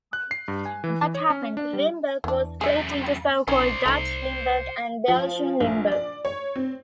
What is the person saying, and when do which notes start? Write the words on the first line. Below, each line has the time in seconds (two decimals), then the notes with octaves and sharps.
That happened; Limburg was split into so-called "Dutch" Limburg and "Belgian" Limburg.
0.13 F#6
0.31 C7
0.48 G2
0.65 G#5
0.84 E3
1.02 E3
1.15 C#5
1.30 C#4
1.57 D4
1.73 G3
2.24 E2 E3 D4
2.61 F#2 A3 G#4 E5
3.48 A#1 C#4 D#4 C5 D5
3.86 C2 A3 D#4
5.08 F3
5.60 A#1
5.92 D5
6.25 C#5
6.56 C4